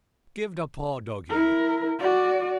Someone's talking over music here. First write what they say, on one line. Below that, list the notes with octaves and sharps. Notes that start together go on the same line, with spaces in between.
Give the paw, doggy!
E4 A#4
F#4 D5